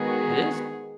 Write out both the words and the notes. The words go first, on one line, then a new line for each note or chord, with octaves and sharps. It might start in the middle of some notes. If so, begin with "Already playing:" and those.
It is.
Already playing: D#3 G#3 B3 F#4 G#4